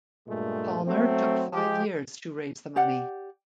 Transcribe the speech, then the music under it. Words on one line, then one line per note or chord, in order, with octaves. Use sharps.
Palmer took five years to raise the money.
G2 A#2 G#3 A3
F#3 A3 C4
F3 G#3 G4
G4 D5 F#5